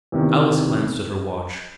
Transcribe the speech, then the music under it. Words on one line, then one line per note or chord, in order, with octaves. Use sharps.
Alice glanced at her watch.
E2 C3 D#3